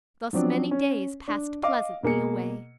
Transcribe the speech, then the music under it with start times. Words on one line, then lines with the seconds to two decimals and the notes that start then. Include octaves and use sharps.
Thus many days passed pleasantly away.
0.33 F3 F#3 C4 D4
0.71 C#4
1.28 D4
1.63 D#5 F5 D6
2.03 B2 A#3 G#4 C#7